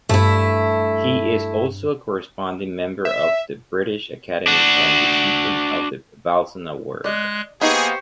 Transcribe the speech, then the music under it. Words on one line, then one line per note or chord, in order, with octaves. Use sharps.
He is also a corresponding member of the British Academy and recipient of the Balzan Award.
G2 A3 E4
E5
D4 F#4
G#3 D5 D#5 F#6
A#3 B3 D#4 G4 G#4 C5 C#6